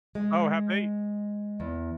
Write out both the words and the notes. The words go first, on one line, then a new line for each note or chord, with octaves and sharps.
Oh, have they
G#3
E2